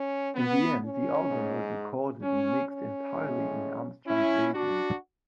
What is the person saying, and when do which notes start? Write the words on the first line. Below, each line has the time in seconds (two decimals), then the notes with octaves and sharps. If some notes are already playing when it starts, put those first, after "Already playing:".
In the end, the album was recorded and mixed entirely in Armstrong's basement.
Already playing: C#4
0.36 B3
0.82 C#4
1.29 G#2 G#3
2.22 C#4
2.69 C#4
3.15 A2 G#3
4.07 C#4 E4
4.54 D4 F#4